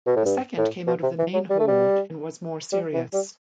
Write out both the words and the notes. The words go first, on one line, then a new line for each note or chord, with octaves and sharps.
The second came out of the main hold and was more serious.
B2
A2
G2
A2
B2
C3
E3
F#3
G3
A3
G3
G3
E3
G3